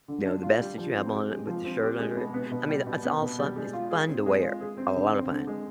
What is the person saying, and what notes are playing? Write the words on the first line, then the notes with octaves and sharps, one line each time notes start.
you know, the vest that you have on with the shirt under it. I mean, that's all someth It's fun to wear, a lot of fun.
D3
D4
F4
G3
F3
C4
G4
G#3
F3
C4
G4
G#3
B2
B3
B2
G3
B2
B3
B2
G3
G#3
F4
G#4
C4
G#3
F4
G#4
C4
D3
C4
D3
G#3